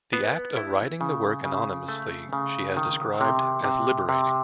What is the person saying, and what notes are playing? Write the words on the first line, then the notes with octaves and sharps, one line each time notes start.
The act of writing the work anonymously she has described as "liberating".
B3
E4
C#3
C#3
A3
C#3
D#3
C3
C3
C3